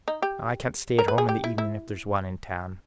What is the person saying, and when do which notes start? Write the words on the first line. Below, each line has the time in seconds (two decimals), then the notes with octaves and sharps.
I can't stay at home in the evening if there's one in town.
0.08 D#4
0.22 G4
0.99 A#4
1.08 B4
1.18 G#4
1.29 G4
1.44 E4
1.58 E4